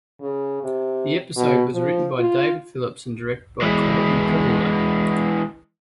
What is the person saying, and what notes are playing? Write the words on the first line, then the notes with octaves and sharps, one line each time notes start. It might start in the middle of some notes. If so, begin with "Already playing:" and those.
The episode was written by David Phillips and directed by Cortney Carrillo.
C#3
C3
B2
F3
F4
E3 G#3